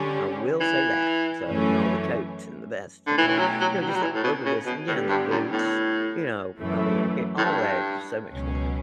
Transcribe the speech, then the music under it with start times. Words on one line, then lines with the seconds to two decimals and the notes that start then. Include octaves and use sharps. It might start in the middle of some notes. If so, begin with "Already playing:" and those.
I will say that. So, you know, all the coats, and the vests, and the you know, just the over this. Again, the boots. You know? I mean, it always is so much fun.
Already playing: D3 G3 C#4
0.60 E3
1.46 F#2 E3 A3 C#4
3.06 D3
3.17 B2 E3 A3 C#4 G4
3.27 E3
3.38 F#3
3.60 F#3
3.81 F#3
3.88 G3
3.95 F#3
4.02 E3
4.14 A2
4.24 B2
4.46 C#3
4.66 B2
4.87 A2 D3 G3 B3
5.09 G2
5.30 F#2
5.52 A2
6.59 F#2 E3 A3
7.38 A2
7.45 G2
8.30 C#2 B2 F#3 C#4